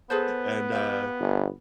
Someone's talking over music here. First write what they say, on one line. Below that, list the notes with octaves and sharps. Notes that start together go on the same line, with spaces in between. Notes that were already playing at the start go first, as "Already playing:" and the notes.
And, uh
B3 G#4 A4 C5
G4 F5
G1